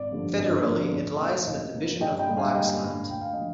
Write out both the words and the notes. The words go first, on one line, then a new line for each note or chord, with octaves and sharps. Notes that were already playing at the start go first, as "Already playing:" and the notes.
Federally, it lies in the division of Blaxland.
Already playing: G#1 D5
G2 D3 F3
G#1 D#5
G2 D3 F3
D2 D5
C3 D#3 A#3
F5
D2 D#5
C3 D#3 A#3
G2 D#5 G5
D#5 G5
D3 G3
F5 G#5
G#5
G2 D#5 G5
D3 G3
D2 G5
F5
D3 F3 D#5